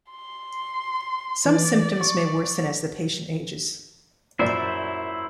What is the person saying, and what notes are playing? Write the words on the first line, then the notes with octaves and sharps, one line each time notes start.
Some symptoms may worsen as the patient ages.
C6
E3 D5
C#6
F#2 A#2 E4 C5 D5 E5